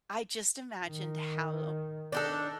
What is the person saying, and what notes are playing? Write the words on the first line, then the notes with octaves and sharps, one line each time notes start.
I just imagined how
D#3
D4 D#4 A4